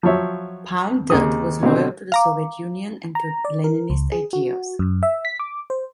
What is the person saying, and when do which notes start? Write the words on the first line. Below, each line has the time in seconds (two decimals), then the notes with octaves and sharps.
Palme Dutt was loyal to the Soviet Union and to Leninist ideals.
0.03 F3 F#3 C#5 E5
1.10 D#2 C#3 C4 D#6
1.63 B2 D3 C4
2.12 F5 A#5 D6
3.15 A#5
3.45 D5
3.64 A#4
3.90 C#2
4.12 G#4
4.33 F#4
4.79 F#2
5.03 E5
5.25 B6
5.40 D6
5.70 C5